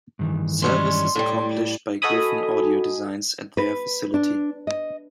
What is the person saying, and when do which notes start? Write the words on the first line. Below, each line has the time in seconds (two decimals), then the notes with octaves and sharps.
Service is accomplished by Gryphon Audio Designs at their facility.
0.19 G2 D#3 E3
0.62 G3 G#3 C#4 C6
1.16 A2 G3 A3
2.02 F#4 A4 D#5 G#5 B5 D#6
3.57 B4
4.14 D4
4.67 D#5